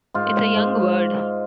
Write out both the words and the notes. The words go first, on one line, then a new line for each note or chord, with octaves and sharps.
It's a young word.
G#2 F4
G#2